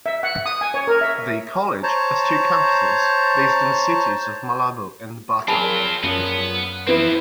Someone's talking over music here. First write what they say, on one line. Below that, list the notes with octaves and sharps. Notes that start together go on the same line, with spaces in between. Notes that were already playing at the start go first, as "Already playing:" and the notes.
The college has two campuses, based in the cities of Malabo and Bata.
E5
F#5
D#6
G#5
C#5
A#4
E5
C5 C#5 A5 A#5
A#2 F#3 C4 F4 G#4 A5 B5
F#2 A#2 F3 F#3 B3
E3 F3 B3 C4 E4